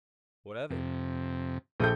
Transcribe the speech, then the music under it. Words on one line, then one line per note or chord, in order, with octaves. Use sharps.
"What of it?"
F2 C3
A#1 A4 G5 D#6 G6